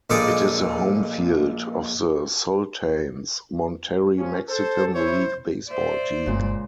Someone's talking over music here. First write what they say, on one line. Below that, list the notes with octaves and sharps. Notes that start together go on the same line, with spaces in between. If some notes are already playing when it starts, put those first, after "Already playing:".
It is the home field of the Sultanes Monterrey Mexican League baseball team.
A#1 A#2 G#3 A4 D5 D#6
F3 C#4
A4 C5
E4 C5 C#5
C5 D5 E5
G1 A#2 C#3 G#3